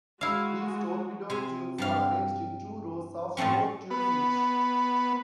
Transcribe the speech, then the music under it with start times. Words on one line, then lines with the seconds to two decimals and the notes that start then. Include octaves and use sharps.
These torpedo tubes are arranged in two rows of four tubes each.
0.21 G#3 E4 F#4 F5
1.30 C3 G#5
1.78 G2 G3 F5
3.37 A2 F3 A3 C4 C#4
3.91 B3